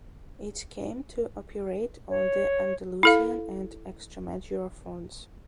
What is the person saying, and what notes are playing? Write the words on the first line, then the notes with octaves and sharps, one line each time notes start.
It came to operate on the Andalusian and Extremadura fronts.
C#5
E4 A4 F5